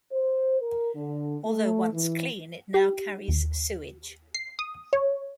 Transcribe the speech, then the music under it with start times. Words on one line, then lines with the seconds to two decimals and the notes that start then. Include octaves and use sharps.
Although once clean, it now carries sewage.
0.11 C5
0.61 A#4
0.95 D3
1.46 A3
1.93 E3
2.74 G4
3.28 D#2
4.34 C7
4.59 D#6
4.93 C#5